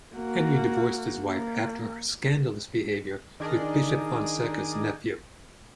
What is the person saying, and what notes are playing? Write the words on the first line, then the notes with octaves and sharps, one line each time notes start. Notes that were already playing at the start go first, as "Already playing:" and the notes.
Henry divorced his wife after her scandalous behavior with Bishop Fonseca's nephew.
A#3 F#4
A#3
D#3 D4 G#4 A#4 D5 D#5